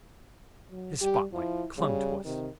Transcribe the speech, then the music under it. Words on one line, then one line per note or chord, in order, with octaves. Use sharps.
His spotlight clung to us.
F#3
G3 G4
F3 E4
C#3 G3
C3 D#3